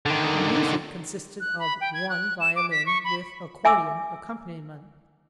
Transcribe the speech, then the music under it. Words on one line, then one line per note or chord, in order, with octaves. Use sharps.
The music consisted of one violin with accordion accompaniment.
D3 D#3
F#6
B5
G5
G#6
F#6
E7
D6
B6
C#6
B5
E5 G#5 D6 E6